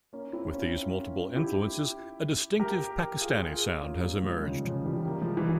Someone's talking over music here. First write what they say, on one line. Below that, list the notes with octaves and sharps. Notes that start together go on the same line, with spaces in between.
With these multiple influences, a distinctive Pakistani sound has emerged.
A#3 C#4
C4 E4
C#4 F4
E4 G4
G4 A#4
F4 G#4
F4 G#4
C#4 F4
G3 A#3
F3 G#3
C#3 F3
C#3 F3
E3 G3
G3 A#3
F3 G#3
E3 G3